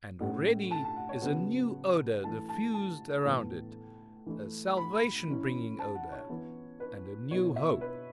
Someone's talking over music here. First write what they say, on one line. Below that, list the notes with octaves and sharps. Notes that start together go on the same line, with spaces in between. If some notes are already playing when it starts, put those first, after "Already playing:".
And already is a new odour diffused around it, a salvation-bringing odour--and a new hope!
A2 A3 C#4 F#5
A5
A5
F#5
C#5
C#3 F#3 B3 F#5
E3 A3 E4 A5
A5
A5
A2 E3 B3
E3 A3 E4
B5
E3 C#4 E4
A5
F#5
C#5
E3 B3 E4
B4
B2 B3 E4 C#5
E5
B4